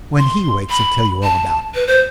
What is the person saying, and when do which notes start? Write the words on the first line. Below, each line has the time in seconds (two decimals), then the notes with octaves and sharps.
When he wakes he'll tell you all about it.
0.18 C6
0.70 B5
1.23 A5
1.75 B4
1.87 C5